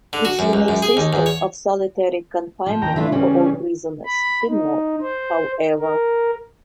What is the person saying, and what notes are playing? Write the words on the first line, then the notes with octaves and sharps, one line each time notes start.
Its unique system of solitary confinement for all prisoners did not, however.
D3
F#4
F#2
C#2
F#2
G#4
D#2
E2
C#5
F3
D#2 G5 A#5
D3 E3 A3 D4 E4 F4
C#3 E3 G3 C#4
B5
D#4
C5
A#4